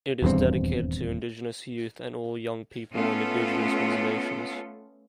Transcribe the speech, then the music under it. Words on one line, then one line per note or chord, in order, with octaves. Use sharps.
It is dedicated to indigenous youth and all young people on indigenous reservations.
D#1 E2 G2 C4
A3 B3 C#4 F4 A4